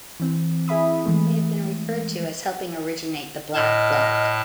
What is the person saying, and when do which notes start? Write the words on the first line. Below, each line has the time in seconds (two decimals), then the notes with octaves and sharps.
They have been referred to as helping originate the Black Bloc.
0.20 E3 C4
0.68 E4 G#4 E5 B5 D#6
1.05 E3 G#3 A3
3.54 A2 D#5 A5 F6